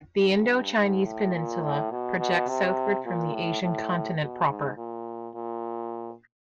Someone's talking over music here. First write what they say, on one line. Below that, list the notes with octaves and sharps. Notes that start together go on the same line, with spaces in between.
The Indochinese Peninsula projects southward from the Asian continent proper.
G2
G#2
A2
A#2
A2
B2
B2
C3
A#2
A2
A2
B2
G#2
A#2
A#2